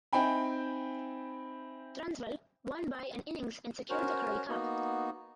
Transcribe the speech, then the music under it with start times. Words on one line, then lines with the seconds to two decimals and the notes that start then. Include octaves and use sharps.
Transvaal won by an innings and secured the Currie Cup.
0.13 C4 D#4 E5 G5 G#5 B5
3.90 C#4 F#4 A#4 C5 C#5
4.49 A#3 B3 D#4 F#4